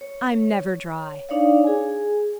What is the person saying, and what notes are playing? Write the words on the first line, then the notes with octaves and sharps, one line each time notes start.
I'm never dry.
C#5
D4 D#4 C#5 D5 F5
G#4 G#5